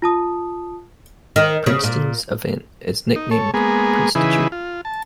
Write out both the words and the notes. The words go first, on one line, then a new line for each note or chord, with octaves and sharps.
Princeton's event is nicknamed Princetitute.
F4 A5 D#6
D#3
C#3
A#2
D#4
A4 C#5
G#3 A#3 B3 G#4
C#3 E3 D#4 E4 G#4 B4
F4
A5